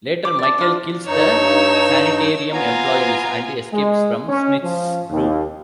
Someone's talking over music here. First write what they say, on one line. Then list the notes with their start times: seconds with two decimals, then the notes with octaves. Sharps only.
Later, Michael kills the sanitarium employees and escapes from Smith's Grove.
0.25 D6
0.39 D5 A5
0.58 D4 F4
1.07 G2 D#4 C#5 E6
2.52 B3 F4 G#5 A#5
3.73 G#3
4.29 C#4
4.63 F3
5.10 D#2